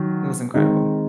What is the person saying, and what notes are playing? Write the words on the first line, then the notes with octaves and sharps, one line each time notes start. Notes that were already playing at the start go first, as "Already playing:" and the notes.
It was incredible.
Already playing: D#3 F#3
D#3 G#3 C4 D#4